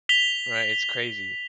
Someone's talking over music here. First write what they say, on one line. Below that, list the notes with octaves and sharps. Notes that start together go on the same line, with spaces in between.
Right, it's crazy.
B6 F7 G7